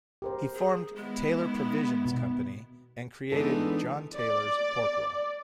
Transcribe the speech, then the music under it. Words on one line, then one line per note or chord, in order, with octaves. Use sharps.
He formed Taylor Provisions Company and created John Taylor's Pork Roll.
G4 A#4 C5
G#4
D#3 G#3 B3 E4
B2
E3 G#3 B3 D4 D#4 A4
D5